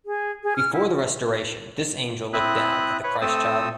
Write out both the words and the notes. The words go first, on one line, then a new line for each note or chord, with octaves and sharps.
Before the restoration this angel looked down at the Christ child.
G#4
G#4
F6
E4
C4 E4 E5 D#6 F#6
B4 C#5 B5
A3 C4 D#6 E6